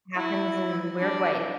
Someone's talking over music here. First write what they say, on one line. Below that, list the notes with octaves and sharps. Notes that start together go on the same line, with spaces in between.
happens in weird ways.
E4
D4